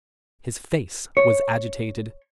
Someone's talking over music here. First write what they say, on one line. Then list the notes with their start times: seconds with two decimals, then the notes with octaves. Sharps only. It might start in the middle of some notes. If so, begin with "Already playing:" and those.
His face was agitated.
1.17 C#5